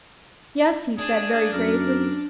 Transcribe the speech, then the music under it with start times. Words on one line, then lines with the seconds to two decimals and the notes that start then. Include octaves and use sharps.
"Yes," he said, very gravely.
0.98 D4 G#4
1.53 F#2 A#4